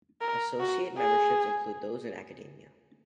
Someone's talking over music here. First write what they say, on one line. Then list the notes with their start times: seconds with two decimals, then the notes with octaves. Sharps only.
Associate memberships include those in academia.
0.21 A#4
0.60 F#4
0.99 G#4